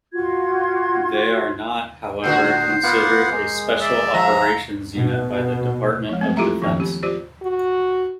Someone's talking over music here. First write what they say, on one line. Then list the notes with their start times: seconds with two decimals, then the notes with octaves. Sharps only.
They are not, however, considered a special operations unit by the Department of Defense.
0.13 F4 F#4 C6 G#6
2.24 A2 D3 F#4 C5
2.83 A#3 B3 F4 F#5
3.31 G#3
3.81 D5 E5
4.14 F3 A#5
4.95 B2
6.09 F3 G#3
6.21 F#3 A3 C4
6.36 E4 F4 G4 A4 E5 A#5
6.62 D#3 F3 A#3
6.80 C4 C#4 G4
7.03 F4 G4 C5 D5
7.43 F#4